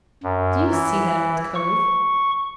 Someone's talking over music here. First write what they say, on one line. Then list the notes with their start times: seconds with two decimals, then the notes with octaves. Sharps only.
"Do you see that old cove?"
0.23 F#2
0.71 E3
1.55 C#6